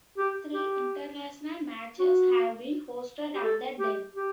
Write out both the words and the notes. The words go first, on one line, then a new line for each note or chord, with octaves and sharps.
Three international matches have been hosted at The Den.
G4
G4
F#4
G4
A4
G4
G4